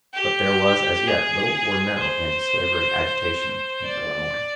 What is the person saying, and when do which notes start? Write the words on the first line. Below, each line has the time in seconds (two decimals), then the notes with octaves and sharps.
But there was as yet little or no antislavery agitation in Illinois.
0.14 G4
1.07 G#4
1.98 C5
3.84 D5